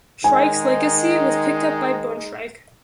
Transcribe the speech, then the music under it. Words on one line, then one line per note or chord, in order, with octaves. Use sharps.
Shrike's legacy was picked up by Boone - Shrike.
D#3 G#3 D#4 G#5